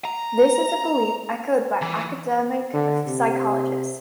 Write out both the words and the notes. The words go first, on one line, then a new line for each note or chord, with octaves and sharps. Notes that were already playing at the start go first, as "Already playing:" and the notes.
This is a belief echoed by academic psychologists.
A#5
E3
D3
C3